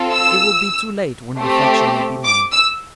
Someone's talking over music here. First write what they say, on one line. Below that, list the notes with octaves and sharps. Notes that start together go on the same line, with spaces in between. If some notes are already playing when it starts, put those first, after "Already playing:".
"It will be too late when reflection may be made."
Already playing: C4 F4 A4
E6
A3 C4 G4
D6
E6